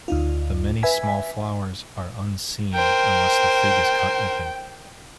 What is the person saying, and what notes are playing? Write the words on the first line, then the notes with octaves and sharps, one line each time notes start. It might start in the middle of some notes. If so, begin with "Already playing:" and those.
The many small flowers are unseen unless the fig is cut open.
D2 D#4 F4
B4 E5 G#5 B6
A#4 C5 G5